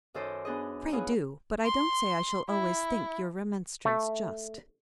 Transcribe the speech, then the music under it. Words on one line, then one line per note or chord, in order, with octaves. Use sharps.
"Pray do; but I don't say I shall always think your remonstrance just."
F#2 D#3 A4 C5 D#5 D6
B3 D4 G#4 D#5
F#3 B3 D#4 F4 F#4 G#4
C6
E4
A3